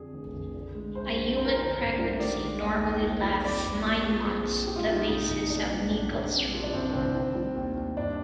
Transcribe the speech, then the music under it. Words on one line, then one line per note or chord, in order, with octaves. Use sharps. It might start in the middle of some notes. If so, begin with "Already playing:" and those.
A human pregnancy normally lasts nine months, the basis of Naegele's rule.
Already playing: F2 D3 G#4
F1
F1
D3
G#3
D2 C5
D2
F2 C5
A#4
D3 C5
G1
G3
D#3 D5
G#3
D#2 D#5
D#2
D#3
G3
F2 D5
F2
A#2
F3 G#4
A#1
A#1
A#2 G4
F4
G3 D#4
F4
C2 D#4
C2 D#4
A#2 D4
G3
A#1 D4
A#1
C3
F3
D4
C2 C4
C2 C4
D#3
G3
D#2
D#2
G2 D4